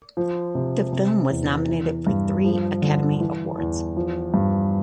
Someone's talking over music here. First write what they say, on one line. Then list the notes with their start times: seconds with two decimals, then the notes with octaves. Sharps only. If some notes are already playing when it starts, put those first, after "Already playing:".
The film was nominated for three Academy Awards.
0.17 F3
0.55 C3
0.93 C3
1.30 E2
1.69 E3
2.07 G2
2.45 F3
2.82 D3
3.20 E3
3.58 E2
3.96 F3
4.34 G2